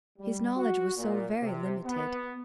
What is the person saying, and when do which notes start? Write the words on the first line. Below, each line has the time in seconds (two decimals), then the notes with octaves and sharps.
His knowledge was so very limited.
0.19 G3
0.57 F#4
0.97 A#2
1.42 C3
1.84 B3